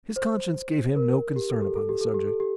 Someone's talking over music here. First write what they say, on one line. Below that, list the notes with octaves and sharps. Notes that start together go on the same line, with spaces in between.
His conscience gave him no concern upon the subject.
C5
A#4
G4
A4
G4
A4
G4
A4
G4
A4
G4